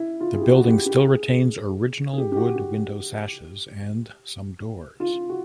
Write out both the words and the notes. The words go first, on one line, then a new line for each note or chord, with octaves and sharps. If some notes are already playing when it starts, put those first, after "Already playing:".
The building still retains original wood window sashes and some doors.
Already playing: E4
F4
G#4
G4
F#4
G4
G4
G#4
G#4
G#4
G4
G4
F#4
G4
F4
F#4